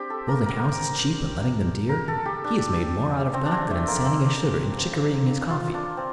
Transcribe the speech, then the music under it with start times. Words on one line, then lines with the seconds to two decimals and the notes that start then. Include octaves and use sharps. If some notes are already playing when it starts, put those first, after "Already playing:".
Building houses cheap and letting them dear; he has made more out of that than in sanding his sugar and chicorying his coffee.
Already playing: C4 D4 G4
0.10 A4
0.28 A#4
0.46 A#4
1.89 A#4
2.08 A4
2.25 G4
2.44 D4
3.34 C4
3.46 D4
3.52 C4
3.70 A3
3.88 A#3
4.05 C4
5.50 F4
5.74 D4
5.97 C4